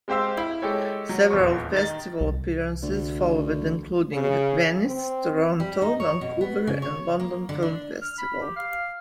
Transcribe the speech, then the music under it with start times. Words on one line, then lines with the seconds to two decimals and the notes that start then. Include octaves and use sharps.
Several festival appearances followed including Venice, Toronto, Vancouver, and London Film Festival.
0.08 G#3 C4 G4 C5 F5 E6
0.37 E4
0.62 G#3 G4 A4 C#5
1.09 F#3
1.30 D#1 A#1 E2 C#6
1.73 D#3 A6
2.21 C2
2.83 D2
4.12 C#3
4.85 C4
5.60 G3
5.82 D#4
6.00 C#5
6.21 B2
6.41 B3
6.67 C#3
6.82 C#5
7.20 A#3
7.49 D3
7.63 D4
8.02 F6
8.18 B5
8.41 G4
8.56 F5